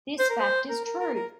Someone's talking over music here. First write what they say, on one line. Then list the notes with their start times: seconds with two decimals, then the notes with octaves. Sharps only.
This fact is truth!
0.19 C5
0.30 A#4
0.40 C5
0.69 A#4
0.84 A#4
0.99 A#4
1.15 A#4